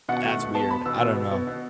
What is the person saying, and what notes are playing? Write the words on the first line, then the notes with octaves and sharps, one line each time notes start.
that's weird. I don't know.
B2 F#5
A3
B2
B3 A5
B3 B5
B2 E6
B2
B3
B3
B2